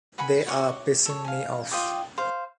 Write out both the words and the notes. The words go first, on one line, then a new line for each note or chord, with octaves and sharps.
They are pissing me off.
B4 F#5 G#5 B5
F#4 C#5 D6
A4 C#5
F5 G#5
F4 D#5 G5 D6
C5 F5